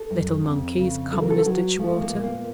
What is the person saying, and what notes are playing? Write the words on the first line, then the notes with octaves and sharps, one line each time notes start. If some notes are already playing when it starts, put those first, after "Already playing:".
Little monkeys common as ditchwater.
Already playing: A4
F#2
F2
C#3
F#3 A4
A#4
A4
F#3 F#4
F3 A3
A#3
A#2
A#3